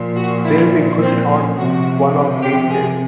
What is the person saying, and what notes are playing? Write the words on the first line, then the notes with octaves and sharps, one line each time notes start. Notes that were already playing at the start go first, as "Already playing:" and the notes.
They’ll be good shots one of these days.
Already playing: A#2 F3
F#4
E4
C4
C#4
C3 F3 F#4
G4
G#4